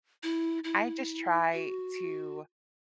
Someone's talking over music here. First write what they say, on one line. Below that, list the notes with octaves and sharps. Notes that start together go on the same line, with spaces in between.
I just try to
E4
E4
F#4